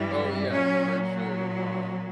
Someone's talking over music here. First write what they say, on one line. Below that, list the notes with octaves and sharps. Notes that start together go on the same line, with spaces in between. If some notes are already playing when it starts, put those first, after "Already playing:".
Oh, yeah, for sure, um,
Already playing: G2 E3 G3
A#2 F#3 C#4